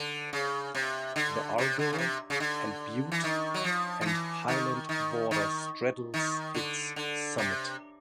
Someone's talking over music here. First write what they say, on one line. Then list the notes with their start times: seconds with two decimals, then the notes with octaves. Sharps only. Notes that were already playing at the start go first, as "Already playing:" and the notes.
The Argyll and Bute and Highland border straddles its summit.
Already playing: D3
0.33 C#3
0.75 C3
1.16 D3
1.58 C3
1.79 D3
1.93 C#3
1.98 C3
2.30 C#3
2.40 D3
3.12 E3
3.24 D#3
3.54 F#3
3.64 F3
4.01 F3
4.06 E3
4.48 D#3
4.89 D#3
5.31 D#3
6.14 D#3
6.54 D3
6.96 D3
7.38 C3